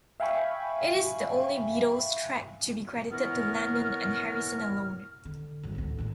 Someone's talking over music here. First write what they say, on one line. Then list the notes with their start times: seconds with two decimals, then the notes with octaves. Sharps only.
It is the only Beatles track to be credited to Lennon and Harrison alone.
0.20 E5 F5 G5 G#5 B5 C#6
3.11 E3 B3 A#4 C#5 F6
5.25 D3
5.63 G#1 G2
5.75 A1 D2
5.98 D#2 A2